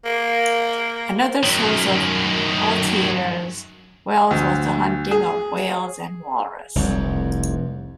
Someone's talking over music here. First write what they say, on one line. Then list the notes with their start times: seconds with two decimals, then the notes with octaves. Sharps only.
Another source of Ohthere's wealth was the hunting of whales and walrus.
0.05 A#3
1.44 F#2 D#3
4.31 D2
5.11 G#4
6.75 F1 C2 F2